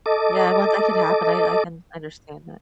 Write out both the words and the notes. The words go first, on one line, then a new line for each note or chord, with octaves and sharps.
Yeah. Well, that could happen. I I can understand that.
A4 D#5 D6